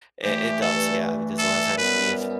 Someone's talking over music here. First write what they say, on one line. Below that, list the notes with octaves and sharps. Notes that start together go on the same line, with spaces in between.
It it does, yeah, because a lotta times we've,
G2 E3 A3 G4
A4
A4
F#2 E3 G3 B3 B4